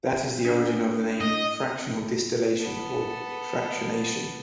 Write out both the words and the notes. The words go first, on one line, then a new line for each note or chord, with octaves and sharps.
That is the origin of the name "fractional distillation" or "fractionation".
D4
D#5
B3 A4